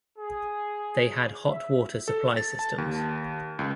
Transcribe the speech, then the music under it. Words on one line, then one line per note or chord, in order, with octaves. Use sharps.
They had hot water supply systems.
G#4
E5
A4
A6
A5
D#2
C#2